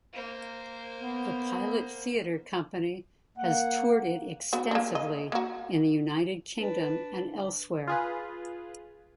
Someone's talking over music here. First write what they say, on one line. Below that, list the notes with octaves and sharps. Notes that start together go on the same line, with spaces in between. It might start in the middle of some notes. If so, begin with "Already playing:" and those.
The Pilot Theatre Company has toured it extensively in the United Kingdom and elsewhere.
A#3 C5
B3
A#3 F#5
B3 F#4
A#3 D4
D#5
A#3 F#4
D4 B4
F4 G#4 B4